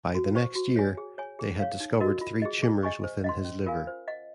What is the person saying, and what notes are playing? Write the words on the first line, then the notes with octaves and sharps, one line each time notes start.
By the next year, they had discovered three tumors within his liver.
F#4
C5 F#5 C#6
F#4
C#5 G#5
G#4
C#5 G#5
G#4
C#5 F5
D#4
F#4 A#4 D#5
F4
G#4 D#5
G#4
D#5 G#5 C#6
C5
D#5 F#5 C6
C#4
F4 A#4 F5 G#5
C5
D#5 F#5